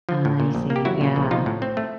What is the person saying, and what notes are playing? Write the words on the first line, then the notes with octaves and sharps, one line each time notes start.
I see. Yeah.
F3
A2
A#2
A#1
A#3
G4
F#3 E4 F#4
A#2
A#1
F3 D#4 F4
A2
C4
A3